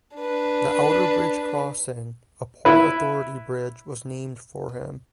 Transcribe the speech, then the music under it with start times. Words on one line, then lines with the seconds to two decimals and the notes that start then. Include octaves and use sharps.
The Outerbridge Crossing, a Port Authority bridge, was named for him.
0.17 D4 B4
2.65 E4 B4